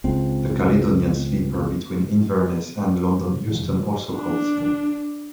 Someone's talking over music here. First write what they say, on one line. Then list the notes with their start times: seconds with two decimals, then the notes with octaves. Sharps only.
The Caledonian Sleeper between Inverness and London Euston also calls.
0.04 C#2 C4
4.16 D4